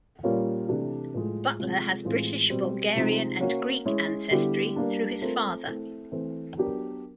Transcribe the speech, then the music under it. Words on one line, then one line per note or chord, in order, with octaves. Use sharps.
Butler has British, Bulgarian, and Greek ancestry through his father.
A#2 G3 A#3 C#4 F4
C3 E3 A3 D4 G4
A2 F3 G#3
C3 F3 G#3 C4
A2 E3 G#3 C4 F4
B2 G3 C4
C3 F3 G#3 C4 D#4
A#3 C#4 F#4
G#3 C#4 E4
D3 G3 B3 E4 G4
G3 A#3 D4
A3 C4 F4 A#4
A3 C4 E4
E3 A3 C4
F#3 B3 D4 G4 A#4